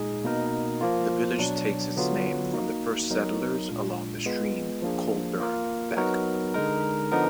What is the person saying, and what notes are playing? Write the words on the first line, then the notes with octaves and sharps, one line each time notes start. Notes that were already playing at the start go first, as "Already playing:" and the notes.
The village takes its name from the first settlers along the stream Colburn Beck.
Already playing: A#2 G#3 D#4 G#4
B2 A#3 D#4 A#4
F3 A#3 F4
B2 F#3 D4
D3 F#3 B3 F4
A#3 D#4 F#4
F#3 B3 D#4 A#4
A#2 G#3 D4 F4
G#3 B3 F4 B4
F3 A#3 D4 G#4
A#3 F4 A#4
F#3 B3 D#4 F#4 A#4
D3 G#3 D#4 A#4
D3 F3 B3 D#4 A#4